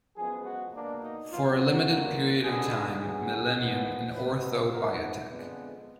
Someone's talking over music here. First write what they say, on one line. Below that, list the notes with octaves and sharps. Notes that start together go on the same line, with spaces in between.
For a limited period of time, Millennium and Ortho Biotech.
F#2 F3 G#3 B3 G#4
F#4
B2 A#3 D4
D#4
B2 F#3 B3 F4
F#4
A#2 F#3 B3
D3 G#3 B3 G#4
D3 F#3 B3 G#4
A#2 F3 B3
B2 G#3 B3 B4
G#2 D#3 G#3 B3 A#4
F2 D3 G#3 B3